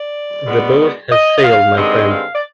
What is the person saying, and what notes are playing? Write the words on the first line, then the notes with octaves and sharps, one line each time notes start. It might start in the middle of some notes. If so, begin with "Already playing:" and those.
That boat has sailed, my friend.
Already playing: D5
B2 G#3 B3
D#5
D#5
F5
G2 D3 G#3 C4 D#4 D#5
F5
D5